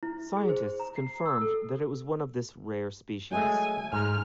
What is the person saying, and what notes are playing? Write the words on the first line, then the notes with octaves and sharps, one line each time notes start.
Scientists confirmed that it was one of this rare species.
E4
G#4
C5
A#5
C7
E6
A4
F#3 G#3 A3 G#5
G#2 A#5 F6